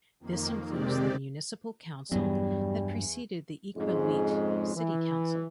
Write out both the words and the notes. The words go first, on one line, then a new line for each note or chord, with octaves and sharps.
This includes the municipal council that preceded the Iqaluit City Council.
F2 D#3 A#3
C3 D#3 G#3 C4 G4 D5
E2 G2 F#3 G3
F2 G#2 C#3 G#3
E3